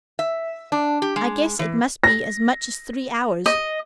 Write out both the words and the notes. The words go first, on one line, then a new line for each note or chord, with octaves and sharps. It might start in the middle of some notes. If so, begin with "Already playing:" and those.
I guess it must be as much as three hours.
E5
D4
G4
G#3
E3
A#6
D#5